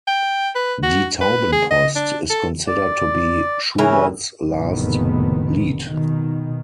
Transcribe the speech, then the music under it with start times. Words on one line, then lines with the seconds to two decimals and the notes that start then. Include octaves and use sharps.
"Die Taubenpost" is considered to be Schubert's last Lied.
0.07 G5
0.55 B4
0.83 F#4
1.21 B4
1.52 G#4
1.71 D#5
1.96 D4
2.30 A4
2.67 D5
3.78 C#3 E3 C#4 A#4
4.50 F#1 F2 A2 C3 D#3 B3
5.85 B2 D#3